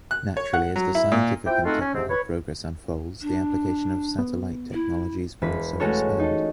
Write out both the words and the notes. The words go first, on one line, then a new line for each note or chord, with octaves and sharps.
Naturally, as the scientific and technical progress unfolds, the application of satellite technologies will also expand.
F#6
C#5
F#5
F#3
E4
A#2
C4 E4 F4 G5
G#3 A3 C4 D#4 F4 F#4
C#4
G#2 C3 C4
B4 C#5
D4
B3
E4
E1 B4 B6
G#3 A3 C#4 F#4 A4 C#5
D#4 A4